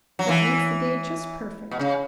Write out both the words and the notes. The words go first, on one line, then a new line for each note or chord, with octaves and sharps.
"That makes the day just perfect."
F#3
E3
B2
C#3